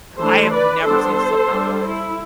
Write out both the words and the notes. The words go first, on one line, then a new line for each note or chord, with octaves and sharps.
I have never seen Slipknot live.
E3 A3 D4 A4 C5
B4 D5
G3 B3 D4 A4 C5
G3 D4
E4